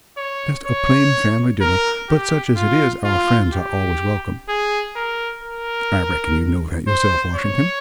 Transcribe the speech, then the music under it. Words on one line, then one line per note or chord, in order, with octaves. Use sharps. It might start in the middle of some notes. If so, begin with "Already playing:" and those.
Just a plain family dinner, but such as it is, our friends are always welcome, I reckon you know that yourself, Washington.
C#5
C#5
A#4
G4
F4
F4
G4
G#4
A#4
A#4
C5
C#5